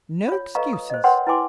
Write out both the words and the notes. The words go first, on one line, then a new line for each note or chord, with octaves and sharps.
No excuses!
F4 C#5
A4 B4 D#5 F5 A#5 C#6
D#6
C5 D#5
A#4 B4 C#5 F#5 G5 C6
E4 B4 G5 G#5 C6 D6